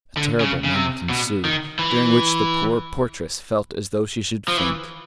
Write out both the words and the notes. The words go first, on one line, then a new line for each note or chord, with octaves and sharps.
A terrible moment ensued, during which the poor portress felt as though she should faint.
D3
C#3
C#3
C3
B2
D#3
E3
F3
E3